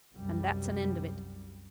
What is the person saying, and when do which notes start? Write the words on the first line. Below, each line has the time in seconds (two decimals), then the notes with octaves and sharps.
And that's an end of it.
0.13 C2 F#2 G3